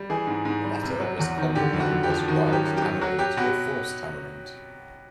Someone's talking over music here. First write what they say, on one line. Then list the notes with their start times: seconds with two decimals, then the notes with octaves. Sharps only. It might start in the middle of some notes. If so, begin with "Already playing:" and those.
The latter is commonly known as 'wild tamarind' or 'false tamarind'.
Already playing: G3
0.10 E3 G#4
0.27 G#2
0.45 G#2
0.64 G3
0.83 C3
1.00 F#3
1.19 E2
1.38 D#3
1.55 D3 G4
1.73 F2
1.80 F#4
1.91 F2
2.03 G4
2.10 F3
2.28 D#3 F#4
2.46 F#2
2.52 G4
2.65 F#2
2.77 G4
2.82 F#3
3.01 F#3 F#4
3.18 F#3 G4
3.37 B2 F#4